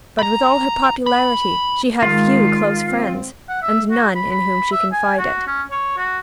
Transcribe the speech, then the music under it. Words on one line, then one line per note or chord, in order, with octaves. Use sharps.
But with all her popularity she had few close friends, and no one in whom she confided.
A#5 B5
B5
D#3 G#3 F4
C4
F#5
E5
F#4
B5
B5
E5
G#5
F#4
C#4
C#5
F#4